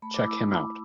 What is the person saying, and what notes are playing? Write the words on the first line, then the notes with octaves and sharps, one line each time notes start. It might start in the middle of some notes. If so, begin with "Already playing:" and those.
Check him out.
A3 B5
D6
E4
E6